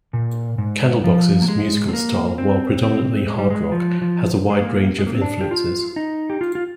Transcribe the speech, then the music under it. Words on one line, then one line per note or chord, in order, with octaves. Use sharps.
Candlebox's musical style, while predominately hard rock, has a wide range of influences.
A#2
G#2
F3
A#3
G#3
C4
A#3
C4
C4
G#3
G3
G#3
F3
F3
G#3
A#3
G#3
A#3
C4
D4
G4
F4
D#4
G4
F4
F4